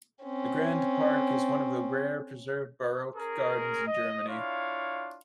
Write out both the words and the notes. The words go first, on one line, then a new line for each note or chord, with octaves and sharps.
The grand park is one of the rare preserved baroque gardens in Germany.
C4 C#4
C#4 G#4 A#4
D#5
D4 E4 F4 C#5 F5